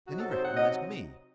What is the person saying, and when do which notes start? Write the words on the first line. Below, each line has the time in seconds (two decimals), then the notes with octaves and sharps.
Then he recognised me.
0.08 C3 F#3 C4 D#4 F#4
0.19 A4
0.31 C5
0.44 F#5
0.55 D#5